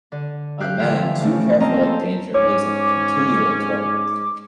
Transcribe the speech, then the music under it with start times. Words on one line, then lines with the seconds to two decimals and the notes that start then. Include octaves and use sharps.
A man too careful of danger lives in continual torment.
0.12 D3
0.60 G4 F5 F#6 G6
0.79 D3 E3 F3 E5 F5 G5
1.20 A2 C#3 A3 C#4
1.60 A#3 C4 C#4 D#5 A5 A#5
1.82 A4 C5
2.34 G#2 C#4 C#5 D6